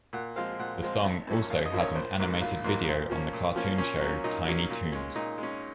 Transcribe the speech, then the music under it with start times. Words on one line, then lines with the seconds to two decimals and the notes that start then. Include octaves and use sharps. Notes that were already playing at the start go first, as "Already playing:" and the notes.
The song also has an animated video on the cartoon show Tiny Toons.
0.13 A#2 F#5
0.36 F3 G#3 C4 F5
0.59 A#2 F#5
0.82 F3 G#3 C4
1.04 G#1
1.27 F#2 F3 A#3 C#4
1.50 G#1 F5
1.66 D#5
1.73 F#2 F3 A#3 C#4
1.81 C#5
1.95 A#1 C5
2.19 G#2 F#3 A#3
2.41 A#1 F4
2.64 G#2 F#3 A#3
2.88 A#2
3.10 F3 A#3 C#4
3.33 A#2
3.56 F3 A#3 C#4
3.78 A#2 C#4
4.01 F#3 A#3 C#4
4.24 A#2 D#4
4.47 F#3 A#3 C#4
4.70 A#2
4.92 G#3 C#4
5.16 A#2 D#4
5.38 G#3
5.43 C#4